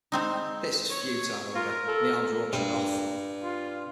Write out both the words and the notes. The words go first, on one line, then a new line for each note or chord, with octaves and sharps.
This was futile, however, and the arms were auctioned off.
G#3 C4 D#4
C#5
F4 A#4
A4
G2
F4